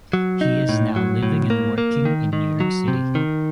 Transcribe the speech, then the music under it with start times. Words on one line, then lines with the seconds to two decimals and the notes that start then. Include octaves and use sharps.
He is now living and working in New York City.
0.13 F#3
0.41 D#4
0.69 A2
0.96 F#3
1.23 A2
1.50 A#3
1.78 A#3
2.05 D#3
2.33 D#3
2.60 F#3
2.88 C3
3.15 D#3